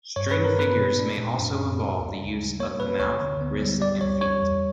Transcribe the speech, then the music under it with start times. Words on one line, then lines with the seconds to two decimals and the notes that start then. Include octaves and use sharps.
String figures may also involve the use of the mouth, wrist, and feet.
0.16 G2 C#5
0.31 B4
0.37 G2
0.45 A#4
0.58 B3 B4
0.77 B2
0.98 D4
1.17 A#2
1.39 F#2
1.58 D4
1.78 A#3
1.99 D2
2.19 C#3
2.40 G3
2.60 A#3 C#5
2.80 B2 B4
3.00 D2 C#5
3.21 D3
3.41 B3
3.61 G3
3.80 G3 D5
4.01 C#2 C#5
4.21 G3 C#5
4.41 E2